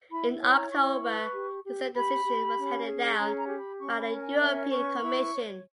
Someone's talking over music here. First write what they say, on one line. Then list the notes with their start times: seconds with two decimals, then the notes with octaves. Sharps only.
In October, the same decision was handed down by the European Commission.
0.11 E4 B5
0.41 C#5
0.52 A#5
0.72 E4 C#6
1.03 B4
1.33 G4
1.64 G4
1.95 G4 B5
2.25 G4
2.56 C#4
2.87 G#4
3.18 C#4 A#5
3.38 A#5
3.48 G4
3.59 B5
3.79 C#4 C#6
4.00 B5
4.10 A#4
4.20 G#5
4.40 C#4 E5
4.71 B4 C#6
5.02 E4
5.32 C#5